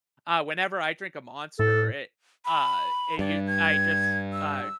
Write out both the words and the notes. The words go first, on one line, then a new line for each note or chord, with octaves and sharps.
Uh, whenever I drink a Monster it, uh, it, you I just, uh,
A2 A4
B5
G2 D5
G#6
E6